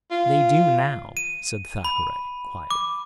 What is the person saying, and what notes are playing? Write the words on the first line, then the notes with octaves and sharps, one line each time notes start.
"They do now," said Thackeray, quietly.
F4
D#7
B5
D6